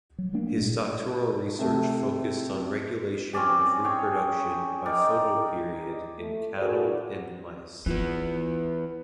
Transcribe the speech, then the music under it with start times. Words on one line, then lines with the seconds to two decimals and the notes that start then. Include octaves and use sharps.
His doctoral research focused on regulation of reproduction by photoperiod in cattle and mice.
0.18 F#3
0.33 G3 A3 A#3 D4
0.57 A#2 G#3 A3
1.59 C3 A3
3.33 C4 C#4 D5 G#5
3.84 G#4 C#5 G5
4.86 D#4 A#4 D5 G5
6.19 A3
6.58 D4 F#4 G#4 A#4 C5 D5
7.86 E3 B3 F4